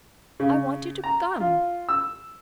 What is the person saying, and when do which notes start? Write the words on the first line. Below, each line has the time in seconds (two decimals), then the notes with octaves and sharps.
'I wanted to come.
0.40 C#3
1.04 A#5
1.40 F4
1.89 E6